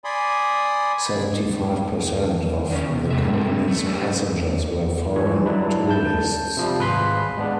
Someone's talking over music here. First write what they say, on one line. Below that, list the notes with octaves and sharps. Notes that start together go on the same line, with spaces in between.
Seventy-five percent of the company's passengers were foreign tourists.
D5 G#5 B5 C6 D#6
D#3 C#4
C3
A2 G#3 E5
A3 C4
A3
F#3 C#4 D4 G4 A4
E3 F3 G#3 C#5
F#3 D4 E4
A5 G6
C3 F3 G3
G#1 G#4 B4 F5 C6 B6
G#3 B3 D4